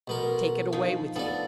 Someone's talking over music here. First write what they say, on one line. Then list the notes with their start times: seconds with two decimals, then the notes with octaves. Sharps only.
"Take it away with you."
0.07 B1 B3 A#4
0.73 F3 D#4
1.16 B3 A4 D5